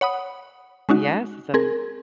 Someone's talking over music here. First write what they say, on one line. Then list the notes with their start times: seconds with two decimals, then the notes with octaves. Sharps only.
Yes, it's a v
0.01 C#5 F#5 B5 D#6
0.89 G#3 C#4 D#4 F#4
1.54 C4 G#4 A#4